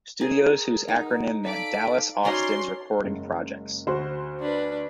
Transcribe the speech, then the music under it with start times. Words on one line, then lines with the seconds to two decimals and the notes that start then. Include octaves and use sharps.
Studios, whose acronym meant "Dallas Austin's Recording Projects".
0.21 G#4 A#4
0.88 D#4 F#5
1.45 A4 D5 F5 B6 D7
2.25 C#4 D#4 F#4 D5 A#5 C6
3.00 F#1 G#3
3.87 D2 F#4 C5 C6
4.40 D4 B4